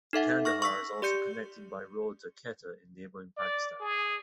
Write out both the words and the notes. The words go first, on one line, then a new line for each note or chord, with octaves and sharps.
Kandahar is also connected by road to Quetta in neighboring Pakistan.
D#4 A4 E5 F#5
C#6 F6 A#6
C#6 E6 B6
G4 D5 G6 C#7
D5
G#4